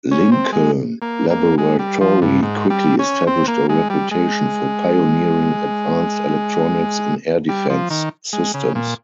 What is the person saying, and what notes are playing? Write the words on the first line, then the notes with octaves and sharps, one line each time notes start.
Lincoln Laboratory quickly established a reputation for pioneering advanced electronics in air defense systems.
C#4
C4
G#3
A#3
A#3
G#3
G3
F3
G2
G#2
G3
C#4
C4
A#3
G#3
G3
G#3
G3
F3
D#3
G#3
C#3
A#2